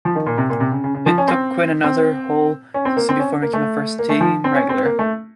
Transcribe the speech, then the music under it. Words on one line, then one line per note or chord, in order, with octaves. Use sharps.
It took Quinn another whole season before he became a first team regular.
F3
D#3
A#2
C3
A#2
C3
C#3
C#3
C#3
F3
C#4
C4
C4
C#4
C4
A#3
C4
C#4
A#3
A3
A#3
A3
F3
C4
C#4
C4
A#3
A3